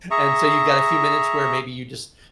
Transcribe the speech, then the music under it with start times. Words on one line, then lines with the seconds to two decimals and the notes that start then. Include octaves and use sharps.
And so, you got a few minutes where maybe you just
0.11 G#4 E5 A#5 C#6